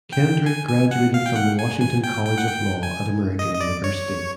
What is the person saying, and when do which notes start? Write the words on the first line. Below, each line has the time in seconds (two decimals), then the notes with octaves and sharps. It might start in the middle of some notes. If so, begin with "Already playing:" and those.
Kendrick graduated from the Washington College of Law at American University.
0.13 G5
0.46 G#5
0.69 G#5
0.91 F#5
1.14 F5
1.26 G5
1.36 F#5
1.59 G#5
1.82 G#5
2.04 G5
2.26 G5
2.38 F#5
2.49 G5
2.83 G#5
3.39 D#5
3.55 D#5
3.61 D5
3.84 C#5